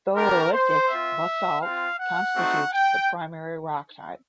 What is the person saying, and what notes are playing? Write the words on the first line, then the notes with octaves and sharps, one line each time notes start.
Tholeiitic basalt constitutes the primary rock type.
B3 D4 G4 A#4
C5
C4 F4 E5
C4 F4 F5
F#5
A3 C4 D#4 F#4
G5